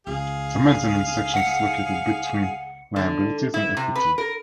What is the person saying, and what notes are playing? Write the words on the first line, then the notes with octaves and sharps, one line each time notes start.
The Mezzanine section is located between liabilities and equity.
C#2 G#4 F5
F#5 C#7
D3
E4
C3
B4
A#4